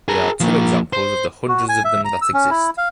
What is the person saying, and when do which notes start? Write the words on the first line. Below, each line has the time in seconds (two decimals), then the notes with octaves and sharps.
They are two examples of the hundreds of them that exist.
0.08 G#4 A#4
0.40 F3 A#3
0.93 C5
1.49 F#4
1.69 G#5
1.85 E5
2.05 A#5
2.22 E6
2.34 C#4
2.51 E4
2.78 F5